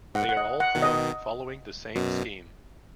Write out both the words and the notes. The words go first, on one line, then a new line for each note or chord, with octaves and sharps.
They are all formed following the same scheme.
G#2 F#5
F#5
D#5
F#5
B2 D#3
D#5
F#2 B2